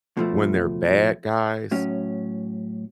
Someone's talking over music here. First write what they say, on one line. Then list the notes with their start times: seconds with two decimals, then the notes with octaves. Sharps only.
when they're bad guys,
0.17 B2 F3 A3
1.71 A2 F#3 C#4